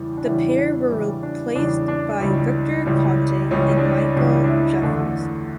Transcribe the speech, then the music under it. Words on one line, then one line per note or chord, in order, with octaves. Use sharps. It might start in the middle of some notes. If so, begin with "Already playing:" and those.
The pair were replaced by Victor Conte and Michael Jeffries.
Already playing: E2 C#3 E3 G3
D4
E2 C#3 E3 G3 E4
D4
E2 C#3 E3 G3 C#4
D4
E2 C#3 E3 G3 D4
D4
C#2 C#3 E3 G3
C#2 C#3 E3 G3
C#2 C#3 E3 G3 C#4
D4
C#4
C#2 C#3 E3 G3 D4
D4
E4
E2 D3 A3